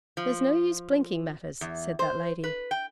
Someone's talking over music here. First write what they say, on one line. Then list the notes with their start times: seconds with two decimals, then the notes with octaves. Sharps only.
'There's no use blinking matters,' said that lady.
0.17 F3
1.61 E2
1.99 C5
2.44 B4
2.71 G5